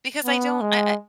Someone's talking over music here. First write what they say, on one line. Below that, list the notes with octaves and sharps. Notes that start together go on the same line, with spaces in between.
because I don't I
B3
G#3